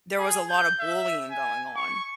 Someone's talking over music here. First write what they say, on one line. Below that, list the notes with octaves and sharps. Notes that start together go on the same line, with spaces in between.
there was a lotta bullying going on,
G#4
G6
E5
G#5
C#6